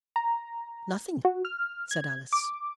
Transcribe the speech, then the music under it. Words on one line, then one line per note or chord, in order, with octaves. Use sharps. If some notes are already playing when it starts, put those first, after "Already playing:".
'Nothing,' said Alice.
A#5
F#4
F6
G#6
D6